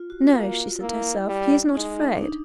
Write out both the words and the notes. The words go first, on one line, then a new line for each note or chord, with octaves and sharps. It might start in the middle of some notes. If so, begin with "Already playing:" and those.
"No," she said to herself, "he is not afraid."
Already playing: F4
F#4
A#3 F4
A#3 E4
G3
G#3 D#4
D4
D#4